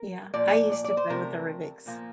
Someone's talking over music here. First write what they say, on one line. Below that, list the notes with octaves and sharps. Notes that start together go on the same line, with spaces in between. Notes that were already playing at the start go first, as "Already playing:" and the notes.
Yeah. I used to play with the Rubik's
Already playing: A#4
A#2 F3 A#3 D5
D5
D5
C5
C3 F3 A3 A#4
A#2 F3 A#3